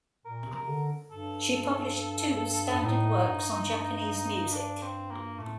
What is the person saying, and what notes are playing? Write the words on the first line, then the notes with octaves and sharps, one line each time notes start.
She published two standard works on Japanese music.
A#2 A#4
C3
A#4
D3
G2 A4
G2
A2 D#4
G2
D4
C4
A#3
A2 A3